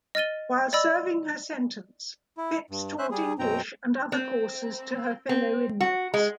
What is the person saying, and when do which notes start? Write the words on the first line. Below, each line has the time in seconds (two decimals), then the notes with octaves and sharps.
While serving her sentence, Phipps taught English and other courses to her fellow inmates.
0.15 D#5 F6 A6 D#7 G7
0.73 D5 D#5 B5 E6
2.37 E4
2.70 G2
2.99 C#4 C5 E5 F#6
3.11 G3 G#4
3.39 F#2 B2 C4 G5 A#5
4.12 C4
5.29 C4
5.81 F#4
6.14 G#3